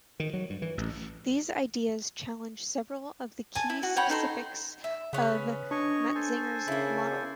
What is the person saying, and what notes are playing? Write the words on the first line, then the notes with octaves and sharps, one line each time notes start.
These ideas challenge several of the key specifics of Matzinger's model.
D#3
F#3
G2
E3
A1
G#5 A5
E4
F#4
C#5 F#5 G5 B5
D#4 A4 C6
E5
C#3 B3 C#4 B4
D4 C#5 D#5 C#6
A4 C5 G#5
C#3 A#3 E4